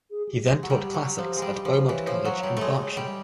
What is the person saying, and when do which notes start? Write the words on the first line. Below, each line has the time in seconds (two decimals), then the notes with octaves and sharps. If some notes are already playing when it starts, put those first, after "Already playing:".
He then taught classics at Beaumont College in Berkshire.
0.11 G#4
0.29 G4
0.46 G#3
0.63 F#3
0.70 G3
0.94 F#3
1.17 F3 G4
1.36 G#3
1.42 G3
1.65 F3
1.89 E3 C#5
2.07 F3
2.25 F#3
2.43 G3
2.57 G#3 A3
2.97 G3